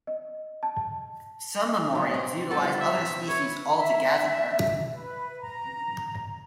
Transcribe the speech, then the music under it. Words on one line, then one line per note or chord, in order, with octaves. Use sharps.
Some memorials utilise other species altogether.
D#5
A5
F#3 G3
C3
F3 G3 B3 A4
E5
C3
B4 C#5
E5
B4
A#5